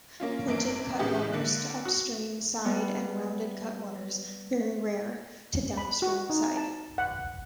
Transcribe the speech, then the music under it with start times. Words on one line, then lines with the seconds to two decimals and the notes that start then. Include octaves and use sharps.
Pointed cutwaters to upstream side and rounded cutwaters, "very rare", to downstream side.
0.20 A#3 C#4 F4
0.47 G#1 F#2 A#3 D7
0.99 A2 C#3 E3 G#3 B3 G4
1.33 D3 A#3 F#6
1.85 F#4
2.65 G3 B3
5.77 B5
6.02 F#4
6.30 D#4
6.57 A5
6.98 F#5